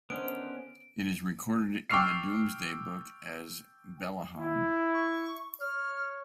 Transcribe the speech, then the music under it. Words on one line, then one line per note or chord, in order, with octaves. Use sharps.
It is recorded in the Domesday book as Beleham.
D3 D#3 B3 C#4 C5 D7
G5 C#6 D6 E6 F6 C7
E4
C#6
C#5 F6